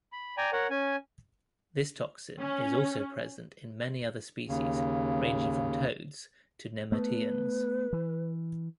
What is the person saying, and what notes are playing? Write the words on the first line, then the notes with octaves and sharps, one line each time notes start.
This toxin is also present in many other species ranging from toads to nemerteans.
B5
D5 G5 G#5 A#5
A#4 C#5 F#5
C#4 G#5
C#4
D#2 C#3
A3 B3 B4
E3